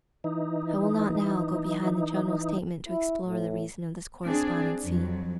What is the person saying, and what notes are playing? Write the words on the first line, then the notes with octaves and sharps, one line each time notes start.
I will not now go behind the general statement to explore the reason of this correspondency.
E3 D#4
E4
A2
C4 D4 G#4
F2 F#3